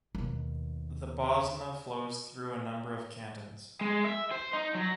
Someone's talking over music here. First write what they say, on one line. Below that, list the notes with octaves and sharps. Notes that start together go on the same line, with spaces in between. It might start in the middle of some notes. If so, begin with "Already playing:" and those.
The Bosna flows through a number of cantons.
D#2 B2
G#3
E5
C5
D#4
F#3